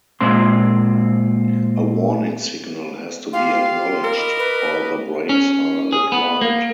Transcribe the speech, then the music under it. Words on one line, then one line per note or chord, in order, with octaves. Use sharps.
A warning signal has to be acknowledged or the brakes are applied.
A#2 G#3 C4 C6
F4 G4 F5 C6
A#4
D#5 B5 D6
B4
C#4
G#4
B3
A#3